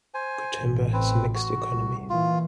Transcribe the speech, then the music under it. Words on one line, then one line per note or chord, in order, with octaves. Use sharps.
Gotemba has a mixed economy.
C5 G#5
A1
C4 B4
F#4
C2
A#2 E3 F4